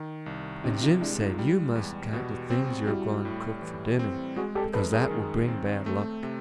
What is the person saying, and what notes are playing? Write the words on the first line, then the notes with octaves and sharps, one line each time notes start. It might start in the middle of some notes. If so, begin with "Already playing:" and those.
And Jim said you mustn't count the things you are going to cook for dinner, because that would bring bad luck.
Already playing: D#3
C2
C3 C#4 D#4
D#4 F4
G#3 D4 E4
D#4 F4
G3
E2
B2
C4
G3 E4 F#4
A2
E3
C4
G#3 F#4 G#4
G4 A4
F#2 A4 B4
G#4 A#4
D#3
C4
A3
C3